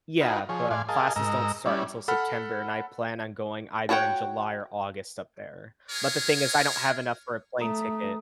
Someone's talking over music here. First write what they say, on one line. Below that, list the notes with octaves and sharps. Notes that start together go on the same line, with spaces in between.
Yeah, but classes don't start until September, and I plan on going either in July or August up there, but the thing is I don't have enough for a plane ticket.
D#4 F4 F#4 A#4 B4
F3 G#4 C#5
A2 D5 F5 G#5 C6
G#4 A#4 D#5 F5 A5
G#2 A#4 D#5 A#5 E6
G3 C#4 E4 D5
A4 F#5 B5 F6
D4 F#4 C#5 F#5 G5
F4 G#4 A#4 C#5
A3 A#5 D#6